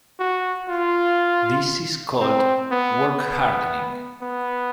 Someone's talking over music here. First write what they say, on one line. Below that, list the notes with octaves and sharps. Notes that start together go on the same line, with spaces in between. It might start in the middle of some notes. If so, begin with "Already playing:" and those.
This is called 'work hardening'.
F#4
F4
C4
B3
B3
B3